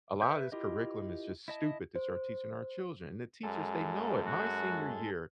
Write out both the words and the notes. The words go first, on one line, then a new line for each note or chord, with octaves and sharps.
a lot of this curriculum is just stupid that you're teaching our children." And the teachers, they know it. My senior year,
B4 E5 G6
E4 F4 G4 A#4 D#5
E4 D#5 A5
C5
F#2 G#3 A4
F#4